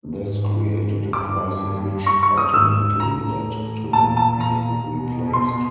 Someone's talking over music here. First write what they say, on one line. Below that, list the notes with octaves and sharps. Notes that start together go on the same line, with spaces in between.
This created a crisis which ultimately led to him being replaced.
G#2
G2 D6
C#6
C#6
D#6
G#2 E6
A2 A#5
A#2 A5
A5
A#5
B2
C6